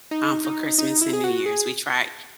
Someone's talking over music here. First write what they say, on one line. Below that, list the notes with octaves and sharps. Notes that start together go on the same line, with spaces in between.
um, for Christmas and New Year's, we try
D#4
D#4
D#4
E4
G#4
F#4
G#4